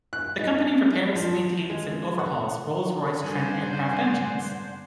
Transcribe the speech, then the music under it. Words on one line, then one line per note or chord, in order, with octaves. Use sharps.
The company repairs, maintains and overhauls Rolls-Royce Trent aircraft engines.
F#6
D#4
F3
G#3
F#5
G2 D3 C5 D5 F#5 G#5